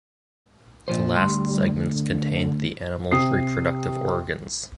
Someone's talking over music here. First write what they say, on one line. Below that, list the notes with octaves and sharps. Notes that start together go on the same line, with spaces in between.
The last segments contained the animal’s reproductive organs.
A#2 F3 C5
D2 G3 C6
D3
C3 D#6 C7